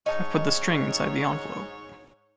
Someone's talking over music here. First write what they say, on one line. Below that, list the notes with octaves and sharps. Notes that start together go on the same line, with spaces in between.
I've put the string inside the envelope.
G#2 D#4 C#5 A5